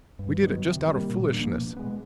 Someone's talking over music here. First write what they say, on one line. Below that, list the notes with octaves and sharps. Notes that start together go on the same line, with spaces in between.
We did it just out of foolishness.
G2
D#3 F#3 B3
C3
D#3 G3 A#3
A#2
F3 A#3 D4
B2
G#3 B3